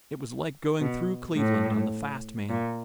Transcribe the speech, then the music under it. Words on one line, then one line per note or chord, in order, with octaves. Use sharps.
It was like going through Cleveland on the fast mail.
B2
A2
A#2